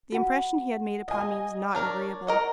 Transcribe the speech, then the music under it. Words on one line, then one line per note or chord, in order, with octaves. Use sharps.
The impression he had made upon me was not agreeable.
F#4 F#5
D#5 G#5
D4 A#4 C#5
A#4 D#5 F#5